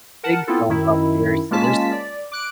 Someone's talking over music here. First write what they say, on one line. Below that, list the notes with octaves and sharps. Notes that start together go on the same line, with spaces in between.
big film buff here, so, there's
A#4 F#5 A5
B3 C4 E4 F4 A4
F#2 D#3 E4
G#3 A#3 C#4 F4 A5 B6
D5
D6 F#6 D7